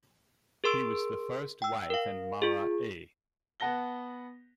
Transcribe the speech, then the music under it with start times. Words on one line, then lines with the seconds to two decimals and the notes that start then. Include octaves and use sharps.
He was the first wife and Mara A.
0.64 G#4 A#4 C6 E6 D7
1.62 G5 E6
1.90 A#4 F5
2.42 F4 G#4
3.60 B3 F#5 A5 A#6 G7